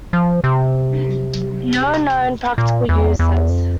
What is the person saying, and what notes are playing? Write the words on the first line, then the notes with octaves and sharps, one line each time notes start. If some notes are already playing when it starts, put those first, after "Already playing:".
No known practical uses.
F3
C3
A#2
E2
E2
F2